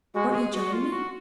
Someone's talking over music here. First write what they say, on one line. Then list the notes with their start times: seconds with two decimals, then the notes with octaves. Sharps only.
Won't you join me?
0.14 G#3 F#4
0.30 F#4
0.34 G#4
0.54 F#4
0.72 F4
0.92 F#4